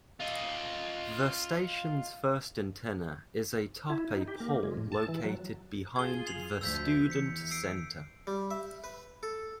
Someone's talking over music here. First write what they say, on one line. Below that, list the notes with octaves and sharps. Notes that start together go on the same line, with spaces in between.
The station's first antenna is atop a pole located behind the Student Center.
F4 D#5
E4
D#4
G4
A#3
G#3
A2
A5
E3
F#3
F4 G#4 G#6 G7
C7 F7 F#7
D2 F3 E6 G6 B6
E2 B6 C#7
E6 C7 D7
G3
E5
B4
A4